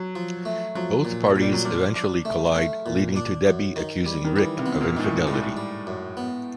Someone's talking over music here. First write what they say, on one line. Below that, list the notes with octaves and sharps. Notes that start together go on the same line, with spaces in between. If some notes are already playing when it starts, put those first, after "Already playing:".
Both parties eventually collide leading to Debbie accusing Rick of infidelity.
Already playing: F#3
F3
A3
F3 F#3
A#2
A#2
G3
F#3
F3 D4
D4
A3
A3
A#2
D4
F#2
D#3
G3
D#3
E3 G3
C3
B3
A#2
G#2 D#3
A2
A2 G3
G#2
A2
G3
F#2
B3